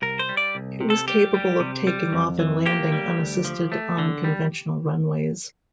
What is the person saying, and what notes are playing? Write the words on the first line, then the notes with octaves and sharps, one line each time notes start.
It was capable of taking off and landing unassisted on conventional runways.
C2 A#4
C5
G3
D5
C2
C3
A4
G3 G4
G3
C3
G3
F2
E3
A#3 G4
G3
D2
F3
A3
D3
G3